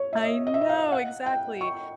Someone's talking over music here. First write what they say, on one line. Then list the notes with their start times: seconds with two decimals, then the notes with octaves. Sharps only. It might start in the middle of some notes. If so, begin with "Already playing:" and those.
I know, exactly.
Already playing: C#5
0.13 E5
0.24 D#5
0.47 D#5
0.54 E5
0.61 D#5
0.69 F5
0.92 F#5
1.26 G5
1.61 C#6